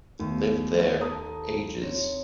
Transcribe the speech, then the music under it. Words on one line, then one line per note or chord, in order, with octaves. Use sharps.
Lived there — ages.
D#2 A3 B3
A4 A5 A#5 D#6
C4 C#5 A#6